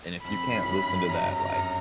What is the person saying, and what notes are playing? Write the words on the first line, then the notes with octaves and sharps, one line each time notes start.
and if you can't listen to that, like,
F2 B5
F#2
G2
F#2 A#5
F#2